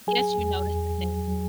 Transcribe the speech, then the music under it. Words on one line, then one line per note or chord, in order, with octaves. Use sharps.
guess you noticed the
F#3 G#4 G#5
E2
E2
F#3
F#3